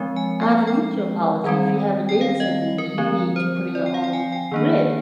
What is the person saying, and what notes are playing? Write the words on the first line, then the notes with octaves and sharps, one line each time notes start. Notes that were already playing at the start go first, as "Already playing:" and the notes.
I don't need your apology. If you have a data center, then you need to put in your own grid,
Already playing: F3 G#3 C4
G#5
G5
G5
D#3 G3 C4
G5
F5
D#5
A#4
D3 F3 C4
C5
D5
G5
F5
G5
G#5
G5
D#3 A#3 D4